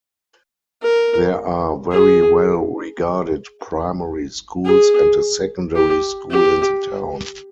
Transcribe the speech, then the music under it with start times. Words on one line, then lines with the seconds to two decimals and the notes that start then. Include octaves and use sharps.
There are very well regarded primary schools and a secondary school in the town.
0.82 A#4
1.92 G#4
4.65 G#4
5.75 G4
6.31 G4